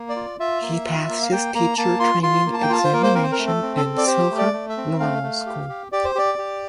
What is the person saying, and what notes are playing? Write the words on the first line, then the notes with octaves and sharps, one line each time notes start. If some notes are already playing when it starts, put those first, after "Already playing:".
He passed his teacher training examination in Silchar Normal School.
Already playing: A#3
D5
F4
F4 E5
A#3
F4
A#3
F5
A#3 G5
A#3 A#5
A#3 A5
F4 C6
F4 C6
A#3
A5
G5
F4 A5
C5
A#3 A#4
C5
C4 A#4
C5
A#4
A3
A4
C4
A4
C4
D5
G4 C5
A3
D5
A3
E5
C4
A3 F5
A3
G4
G4
G4 D5
C5
G4 D5
G4